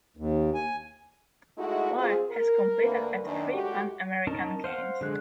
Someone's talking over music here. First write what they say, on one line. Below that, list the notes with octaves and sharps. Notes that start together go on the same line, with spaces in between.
Lye has competed at three Pan American Games.
D#2
G#5
G#3 A3 D#4 E4 F#4
C4 F4 G#4
A#4
D2 A#3 B4
F#2 D#3 D4
A2 G#3 F#4 G4
C#4 D#4 A#4 A5
C5 F5 F#5
D3 F#3 G#3 G#4 F#6